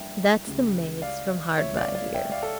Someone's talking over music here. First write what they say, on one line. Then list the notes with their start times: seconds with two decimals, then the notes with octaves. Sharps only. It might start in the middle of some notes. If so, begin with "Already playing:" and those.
"That's the maids from hard by here."
Already playing: A1 G2 F3 A#3 D4 E5 G5
0.47 C#2 C#3 G3
1.02 D5 F5
1.58 C#2 C#3 E3 C#5 E5
1.76 D5 F5
1.95 D5 F5
2.14 E5 G5
2.32 D5 F5
2.43 A4